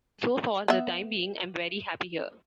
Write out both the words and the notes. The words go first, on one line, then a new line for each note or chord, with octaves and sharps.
So for the time being, I'm very happy here.
B3 E5